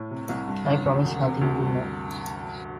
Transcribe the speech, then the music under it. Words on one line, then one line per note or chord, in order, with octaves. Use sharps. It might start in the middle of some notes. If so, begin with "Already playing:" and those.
I promise nothing, you know.
Already playing: A2
C3
C2
G2
A1
D2
E1
C3
D2
G2